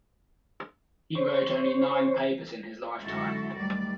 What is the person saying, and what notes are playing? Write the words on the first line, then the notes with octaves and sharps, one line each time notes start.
He wrote only nine papers in his lifetime.
C5 C#5
F#2 D3 G#3 E4 F#4 A4
D2 D#3 F#3 G3 D5